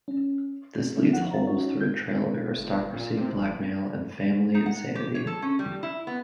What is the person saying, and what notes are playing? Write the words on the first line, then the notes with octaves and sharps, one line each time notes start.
This leads Holmes through a trail of aristocracy, blackmail, and family insanity.
C#4
G3 A3 C#4 E4
C2 F3 F#5
A#5 A6
C#4 D#4 E4 F#4 C#5
G6 G#6
G1
A#2
C3
F1
D#4
F#5
G4
C#5
A4
C#4
G3
E4
B3